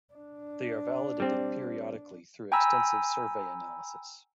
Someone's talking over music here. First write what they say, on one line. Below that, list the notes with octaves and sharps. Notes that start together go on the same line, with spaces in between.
They are validated periodically through extensive survey analysis.
D4
G3 C4
G5 G#5 A#5 B5 E6